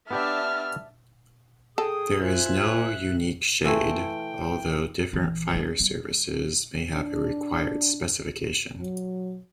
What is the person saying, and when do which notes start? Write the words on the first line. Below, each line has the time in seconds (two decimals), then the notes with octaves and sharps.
There is no unique shade, although different fire services may have a required specification.
0.11 B3 D4 G4 D5 E5 A5 F6
1.78 G#4 A4 G5 D#6
2.21 F4 C5 E5 G#5 F#6
3.65 E3 A3 F4 G5
5.13 A#1 E3
5.53 A#3 C#4
5.80 G3
6.94 D4
8.78 F#3